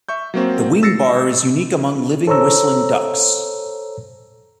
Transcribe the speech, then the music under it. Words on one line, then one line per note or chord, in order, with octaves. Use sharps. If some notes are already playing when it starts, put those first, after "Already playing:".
The wing bar is unique among living whistling ducks.
E5 C#6 G6
F#3 A#3 C4
E6 A6 A#6 C7 C#7
A4 C5 C#5 A#5 E6